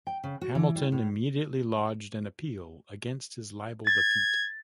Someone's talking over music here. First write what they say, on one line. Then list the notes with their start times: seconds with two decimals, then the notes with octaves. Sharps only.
Hamilton immediately lodged an appeal against his libel defeat.
0.07 G5
0.24 C#3
0.41 F#4
0.55 E3
0.75 G3
0.92 A2
3.87 G#6 A6